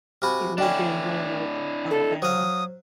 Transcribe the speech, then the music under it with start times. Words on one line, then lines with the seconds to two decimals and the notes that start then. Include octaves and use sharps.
He lived in Roanoke, Alabama.
0.22 C3 F#4 G#5 B5 F6
0.58 D3 C#4 D4 E4 D#5 G5
1.91 A4
2.22 F#3 C5 F5 D#6